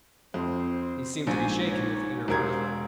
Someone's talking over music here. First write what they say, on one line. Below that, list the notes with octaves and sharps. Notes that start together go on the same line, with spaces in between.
He seemed to be shaken with inner mirth.
F2 C4 C5
A#1 G#2 C5 G#5
D#4 C#5
E1 G4 A#4 C5 G#6